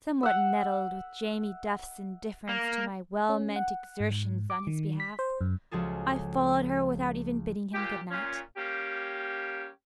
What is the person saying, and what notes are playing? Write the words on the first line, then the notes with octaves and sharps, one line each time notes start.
Somewhat nettled with Jamie Duff's indifference to my well-meant exertions on his behalf, I followed her without even bidding him good night.
E5 F#5
A#3
C#4
F#5
G#2
D6
D#3
B6
C5
F#2
C#2 F3 F#4 G#4 A4
A#2 G4
A#2 C#4
G3 A#3 C#4 G4